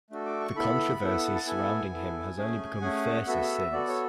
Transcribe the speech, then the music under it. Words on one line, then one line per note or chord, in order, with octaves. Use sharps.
The controversy surrounding him has only become fiercer since.
A3 D4 F#4 A4
D6
C#6
B3 E4 A4 B5
B3 E4 A4 F#5
A5
B3 E4 A4 G#5
B3 E4 A4
A3 C#4 G#4
A3 C#4 G#4 F#5
B3 F#4 A4 E5
B3 F#4 A4 D5
C#5